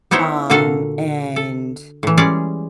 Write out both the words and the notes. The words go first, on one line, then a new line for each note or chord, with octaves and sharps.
um, and
B3 D#4 E4 C5 C#5
A#2 D3 F#4 A4 F5 A#5
A4
A2 E3
G3 G#3 C#4 G#4 D5